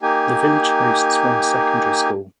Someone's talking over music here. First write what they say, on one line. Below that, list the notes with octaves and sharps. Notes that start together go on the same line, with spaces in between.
The village hosts one secondary school.
A#3 D#4 G4 G#5